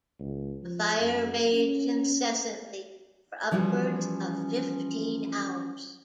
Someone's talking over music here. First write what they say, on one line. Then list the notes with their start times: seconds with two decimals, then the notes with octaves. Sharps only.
The fire raged incessantly for upwards of fifteen hours.
0.19 C#2
0.63 F3
0.99 F#2
1.53 C#4
3.51 E3 F3 G3 C#4 F#4 A#4